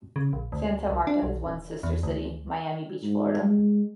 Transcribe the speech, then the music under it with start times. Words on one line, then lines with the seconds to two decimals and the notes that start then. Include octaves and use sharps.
Santa Marta has one sister city: Miami Beach, Florida.
0.16 C#3
0.33 A#1
0.52 D2
0.89 C2
1.07 D4
1.23 B1
1.44 D#1
1.83 E2
2.03 D2
3.03 G#2
3.42 G#3